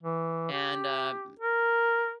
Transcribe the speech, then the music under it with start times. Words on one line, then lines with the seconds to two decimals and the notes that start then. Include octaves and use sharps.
and, uh, m
0.03 E3
0.52 G4
1.39 A#4